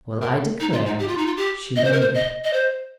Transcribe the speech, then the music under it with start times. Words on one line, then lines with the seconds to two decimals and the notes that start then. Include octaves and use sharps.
'Well, I declare,' she murmured.
0.21 A#4
0.60 D#4
0.73 F4
0.86 D#4
0.99 G4
1.08 F4
1.17 D#4
1.26 F4
1.37 G4
1.76 D#5
1.84 C5
1.92 A#4
2.01 C5
2.14 D#5
2.44 D#5
2.53 C5